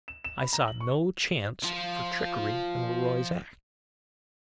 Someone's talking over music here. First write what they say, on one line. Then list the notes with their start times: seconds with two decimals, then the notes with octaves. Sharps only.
I saw no chance for trickery in Le Roy's act.
0.08 E7
0.24 E7
0.38 B5
0.53 A#5
0.68 F#7
0.80 C#6
1.63 F3 F4